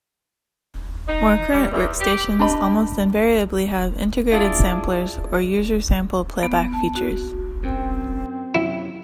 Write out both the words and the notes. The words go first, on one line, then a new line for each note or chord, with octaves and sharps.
More current workstations almost invariably have integrated samplers or user sample playback features.
D#4
G3
E2
G4
D4 G4 D#5 B5
D4 E4 F4 G#4
B3
A5
F#4
F#2 C4
F#2 C3 F#3 E4